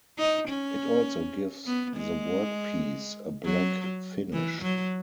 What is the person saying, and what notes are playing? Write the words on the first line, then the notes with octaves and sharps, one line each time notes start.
It also gives the workpiece a black finish.
D#4
C#4
B3
G#3
F#3
E3
F#3